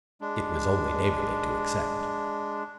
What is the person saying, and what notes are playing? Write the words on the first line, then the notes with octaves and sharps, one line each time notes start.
It was only neighbourly to accept.
G#3 D4